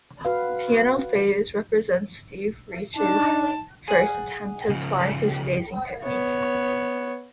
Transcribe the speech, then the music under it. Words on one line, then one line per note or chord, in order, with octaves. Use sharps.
"Piano Phase" represents Steve Reich's first attempt to apply his "phasing" technique.
F#4 B4 F5
D4 D#4 A5
G#4 F#5
C#3 F3
B3 C#5